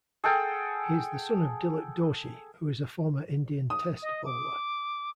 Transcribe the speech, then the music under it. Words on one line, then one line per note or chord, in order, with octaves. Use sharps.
He is the son of Dilip Doshi, who is a former Indian Test bowler.
G#4 A4 F#5 G5
D#6
D#5
D6